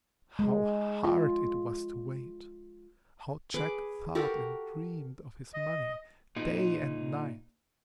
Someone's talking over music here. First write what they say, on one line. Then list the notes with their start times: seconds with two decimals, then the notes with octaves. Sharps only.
How hard it was to wait! how Jack thought and dreamed of his money, day and night!
0.39 G#3
1.04 F4
3.54 G#4 B4 D6
4.15 F#4 G4 A4 A#4
5.54 D#5
6.36 A#2 D#4